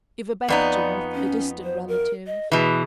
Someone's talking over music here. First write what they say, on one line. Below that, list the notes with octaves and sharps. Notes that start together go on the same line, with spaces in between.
If a back tooth, a distant relative.
F2 B3 D#4 D5
C#4
C5
A#4
D#5
B2 E3 G#4